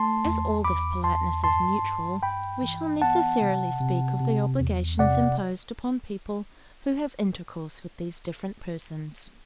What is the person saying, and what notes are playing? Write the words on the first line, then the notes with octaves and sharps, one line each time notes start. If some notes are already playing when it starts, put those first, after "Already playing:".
As all this politeness is mutual, we shall necessarily speak of the obligations imposed upon people who have intercourse with these different persons.
Already playing: A3 A5 C6
E2
E2 B5 D6
E2 A5 C6
G2 A5 C6
G2
G2 G5 B5
E3
B3 F#5 A5
C3
C3
C3
E2
C3 D5 F#5